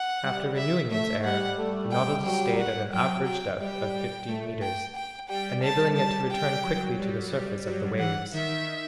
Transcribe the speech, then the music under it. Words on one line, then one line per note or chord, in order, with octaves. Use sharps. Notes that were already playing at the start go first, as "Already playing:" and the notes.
After renewing its air, the Nautilus stayed at an average depth of fifteen meters, enabling it to return quickly to the surface of the waves.
Already playing: F#5
G3
E5
A3 E5
G3 F#5
A3
G3 G5
F#3 G5
F#5
F#3 G5
F#3 G5
G3 G5
G3
A3
G5
G5
G3 G5
G3 A5
G3 A5
G5
F#3
G3
G3
F#3
E3 F#5
D#3 E5